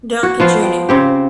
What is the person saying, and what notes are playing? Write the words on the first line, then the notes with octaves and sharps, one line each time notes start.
Durkee Jr.
F#4
F3 B3 F4 C5
G5
C#3 C4 G4